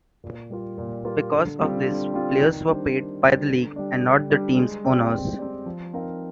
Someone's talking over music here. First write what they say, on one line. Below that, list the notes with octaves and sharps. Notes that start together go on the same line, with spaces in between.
Because of this players were paid by the league and not the team's owners.
A#2
G3 A#3 F4
A#2
G3 A#3 F4
D3
G3 C4 F4
D3
G3 C4 F4
D#3
G3 D4 G4 C5
D#3
G3 D4 G4 C5
D3
G3 D4
D3
G3 D4
G#3
C4 G4 D5
G#3
C4 G4 D5
F3
C4 D#4 A#4 F5